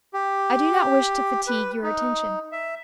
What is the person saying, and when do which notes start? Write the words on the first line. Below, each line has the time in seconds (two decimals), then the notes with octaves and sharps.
I do not wish to fatigue your attention.
0.13 G4
1.47 B4
1.83 D#4
2.52 E5